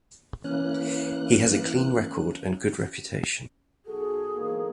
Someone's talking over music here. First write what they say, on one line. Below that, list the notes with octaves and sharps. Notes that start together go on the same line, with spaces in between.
He has a clean record and good reputation.
E3 A#3 C#4 F#6
B1 F#4 G#4 A4
E2 G#2 A#3